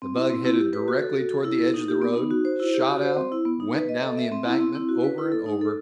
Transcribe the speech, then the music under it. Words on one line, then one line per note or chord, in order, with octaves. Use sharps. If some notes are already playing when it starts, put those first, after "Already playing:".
The bug headed directly toward the edge of the road, shot out, went down the embankment, over and over.
C4
E4
C4
E4
G4
B4
F#4
A4
F#4
A4
E4
A4
D#4
G4
B3
D#4
F#4
C5
E4
G4
F#4
C5
C4
E4
B3
D#4
B4
D#5
A4
E5
C4
E4
C4
E4
F#4
B4
E4
A4
D#4
A4